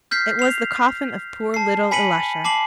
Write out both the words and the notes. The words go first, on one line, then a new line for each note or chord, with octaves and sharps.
It was the coffin of poor little Ilusha.
F6 G6 B6 C7
C7 F7
A5 C7
G#5 B5 B6 C#7 D#7 F#7
A5 D6 C7 F#7